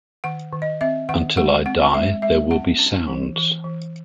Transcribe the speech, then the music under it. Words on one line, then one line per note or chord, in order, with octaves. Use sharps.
Until I die there will be sounds.
D#3 F#5
D#3
D#5
C4 E5
D#3 F#5
G#3 F#5
C4 F#5
G#3 E5
G#3 E5
C#4 F#5
C#4
E3
E3
E3